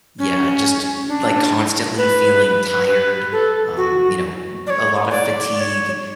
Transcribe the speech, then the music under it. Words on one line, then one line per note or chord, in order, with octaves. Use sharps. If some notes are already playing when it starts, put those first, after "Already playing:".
yeah, just i like, constantly feeling tired, um, you know, w a lot of fatigue;
C#4
D4
B4
B4
A4
F#4
D5
C#5
D5
D5
C#5